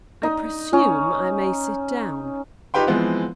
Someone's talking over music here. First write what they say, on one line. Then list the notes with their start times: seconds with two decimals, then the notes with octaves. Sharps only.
"I presume I may sit down?"
0.23 D#4
0.73 C#4
2.74 D#4 F4 G4 B4 G5 C6
2.87 E3 F3 G#3 B3 C4